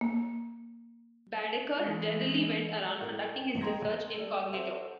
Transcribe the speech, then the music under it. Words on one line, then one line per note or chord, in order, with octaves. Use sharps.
Baedeker generally went around conducting his research incognito.
A#3
E3 G#3
A2 A4 A#4
G5
D#5 G5 A#5 C6 G#6 A#6
G3 A4
F#4 A4 C5 E5